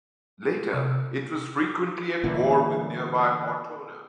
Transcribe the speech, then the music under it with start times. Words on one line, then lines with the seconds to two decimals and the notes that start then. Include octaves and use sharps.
Later it was frequently at war with nearby Ortona.
0.74 C3
2.24 A#2 D3 E3